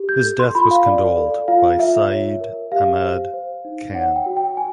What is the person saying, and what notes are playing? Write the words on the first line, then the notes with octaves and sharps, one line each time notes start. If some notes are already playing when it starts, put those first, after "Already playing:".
His death was condoled by Syed Ahmad Khan.
Already playing: G4
G6
A4
C6
F4 B5
F5
D5
A4
F4 F5
F4 E5
C#5
A#4
G4 F5
C5
C5
D#4
C#5 F#5
G5
F#4
G5
F#4 G#5